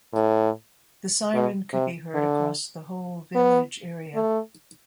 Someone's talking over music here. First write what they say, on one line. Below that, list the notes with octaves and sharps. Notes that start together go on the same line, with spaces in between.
The siren could be heard across the whole village area.
A2
B2
C3
D3
B3
A3